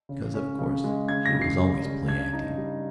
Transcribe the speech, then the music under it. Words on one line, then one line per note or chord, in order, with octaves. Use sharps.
Because of course she was always play acting.
C#3
C#4
C#3
G#3
C#3 G#6
A#6
C#3
C7
G3
C#3
G2 G#6
D#4
G3